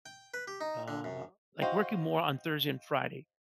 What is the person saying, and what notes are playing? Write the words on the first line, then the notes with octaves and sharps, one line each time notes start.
Uh, like working more on Thursday and Friday,
G5
B4
G4
D#4
D3
F#2
F#4 C5 D#5 F5 G5